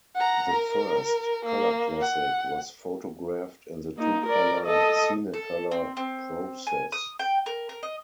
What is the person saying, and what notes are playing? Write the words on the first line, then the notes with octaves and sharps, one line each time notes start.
The first "Color Classic" was photographed in the two-color Cinecolor process.
F#5 A#5
A#4
A#3
F#5
A#3 D#4
A#4 D5
A4 D#5
A4
C4
C4
G#5
D#6
G5
A#4
A#4
D#5